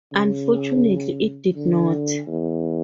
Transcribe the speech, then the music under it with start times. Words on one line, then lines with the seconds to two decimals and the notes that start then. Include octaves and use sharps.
Unfortunately it did not.
0.12 C#3
1.56 D3
2.27 E2